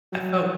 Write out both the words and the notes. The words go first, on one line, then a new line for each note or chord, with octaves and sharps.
I felt
F#3